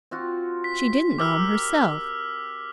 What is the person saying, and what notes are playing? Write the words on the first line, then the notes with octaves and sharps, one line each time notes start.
She didn't know 'em herself.
C4 F4 F#4
B6
G4 A#4 D6 E6 F6